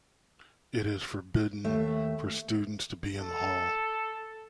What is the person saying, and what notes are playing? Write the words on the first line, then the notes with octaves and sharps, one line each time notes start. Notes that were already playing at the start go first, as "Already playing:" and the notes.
It is forbidden for students to be in the hall.
D#2 A3 E5
A4